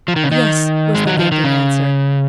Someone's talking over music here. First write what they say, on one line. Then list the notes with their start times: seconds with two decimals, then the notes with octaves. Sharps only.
"Yes!" was the gaping answer.
0.08 F3
0.16 D#3
0.24 C#3
0.31 D#3
0.95 G#3
1.07 F#3
1.19 F3
1.32 D#3
1.44 C#3